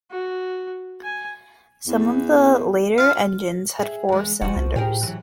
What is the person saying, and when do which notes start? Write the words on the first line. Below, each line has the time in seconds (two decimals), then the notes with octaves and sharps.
Some of the later engines had four cylinders.
0.11 F#4
1.04 G#5
1.87 E2
2.98 F4 F5
3.79 G#4 E5
4.09 E2 G#3
4.41 E1 F3 F#4
4.56 C2
4.76 A2 G4 G#4 A#4
5.03 E3 F#3